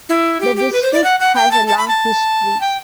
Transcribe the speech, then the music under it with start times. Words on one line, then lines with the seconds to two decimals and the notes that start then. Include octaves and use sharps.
The district has a long history.
0.09 E4
0.41 G4
0.57 G4
0.73 B4
0.83 C5
0.93 D5
1.04 F#5
1.20 F#5
1.35 G5
1.51 A5
1.67 A5
1.77 B5
1.88 A5
2.61 G5